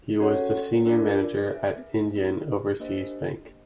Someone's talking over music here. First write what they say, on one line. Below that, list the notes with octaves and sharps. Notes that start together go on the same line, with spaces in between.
He was the Senior Manager at Indian Overseas Bank.
C#4 F#4 A4 C#5 F#5
D4 F4 A#4 D5
G#4 B4 E5
A#3 D#4 G4 B4
A#3 D4 G4 C5 D#5